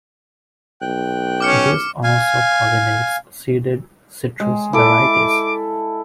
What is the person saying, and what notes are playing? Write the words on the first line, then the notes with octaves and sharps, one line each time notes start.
This also pollinates seeded citrus varieties.
B1 G5 F#6
C#4 D6 F6 C#7
F5 G#5
G#3
E4 A4 D6